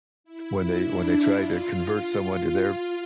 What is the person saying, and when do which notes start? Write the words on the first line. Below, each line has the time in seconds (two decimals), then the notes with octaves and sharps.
when they when they try to convert someone to their
0.24 E4
0.76 D4
1.28 F4